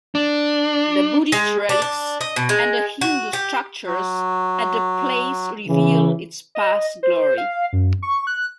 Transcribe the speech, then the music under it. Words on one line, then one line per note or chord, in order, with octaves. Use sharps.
The Buddhist relics and the Hindu structures at the place reveal its past glory.
D4
G#3
D4
D4
D#5
B2
G#3
F#4
G4
F#3
C#3 E3
D#5
C5
F5
F#2
C#6
F#6